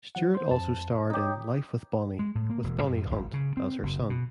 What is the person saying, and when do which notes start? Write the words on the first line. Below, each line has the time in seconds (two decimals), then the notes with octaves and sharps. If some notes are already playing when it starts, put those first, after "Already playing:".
Stewart also starred in "Life With Bonnie" with Bonnie Hunt, as her son.
0.15 F3 F#3 F#5
0.35 C5 C6
0.51 F2 A5
1.10 D#4 G4 C#5 D#5
2.19 G#3
2.35 A2
2.50 A#3
2.64 E1
2.83 F#2
3.10 G#1
3.33 C#3
3.57 C4
3.83 F#1
4.10 B2